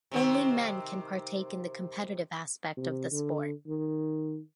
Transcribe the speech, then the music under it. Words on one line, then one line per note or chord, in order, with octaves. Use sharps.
Only men can partake in the competitive aspect of the sport.
C3 D#3 C4
C3
D3
D#3